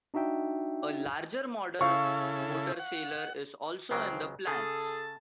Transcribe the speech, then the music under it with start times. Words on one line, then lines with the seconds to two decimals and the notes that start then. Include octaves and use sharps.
A larger model motorsailer is also in the plans.
0.14 D4 D#4 F#4 E5 G5
1.81 C#3 E4 A4 F5 C#6
2.79 F#5
3.91 C#2 C#3 F#3 C4
4.47 C#3 G#4 A4 A5